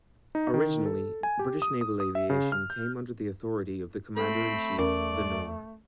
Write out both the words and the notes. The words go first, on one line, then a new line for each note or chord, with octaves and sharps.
Originally, British naval aviation came under the authority of the Commander-in-Chief, The Nore.
D#4
D#3
A4
G#5
G4
D#6
D#6
D#6
E5
C#3
F6
G6
A3 C4 A4 B5
E2 C#4 A#4 D5